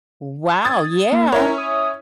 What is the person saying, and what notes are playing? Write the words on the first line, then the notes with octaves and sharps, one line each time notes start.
Wow, yeah!
D#6 G#6 A6
A#3
C#4 E4 A#4 C#5
D#6